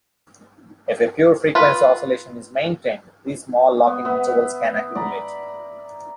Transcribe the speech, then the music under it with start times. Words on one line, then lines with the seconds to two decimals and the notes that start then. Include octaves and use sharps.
If a pure frequency oscillation is maintained, these small lock-in intervals can accumulate.
1.55 F4 B4
3.87 B3
4.05 B3 E5
4.95 D5 A#5 B5